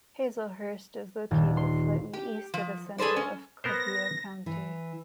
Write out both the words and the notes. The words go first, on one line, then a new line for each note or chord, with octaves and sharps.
Hazlehurst is located slightly east of the center of Copiah County.
D#1
C6
G4
F3
G#4 A4 B4 C5 D5
C#4
B3 A#4 C5 A#6
E3